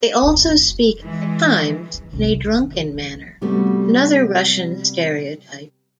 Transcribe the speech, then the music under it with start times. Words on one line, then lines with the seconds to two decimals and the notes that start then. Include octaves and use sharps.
They also speak at times in a drunken manner, another Russian stereotype.
0.22 F1 D2
1.00 E3 G#3
1.94 D#3
2.13 C2
2.26 D3
2.56 D#3
2.94 F3
3.41 C3 G3 A3 B3 F#4